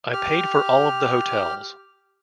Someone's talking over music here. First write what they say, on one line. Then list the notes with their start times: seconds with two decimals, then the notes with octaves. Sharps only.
I paid for all of the hotels.
0.13 G4 F6